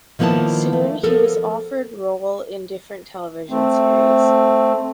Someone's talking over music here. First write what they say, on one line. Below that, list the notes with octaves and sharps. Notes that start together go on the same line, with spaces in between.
Soon he was offered role in different television series.
D#3 F3 A#3 B3 E4 A5
A3
F3 B3 A4 A#4
A3 C4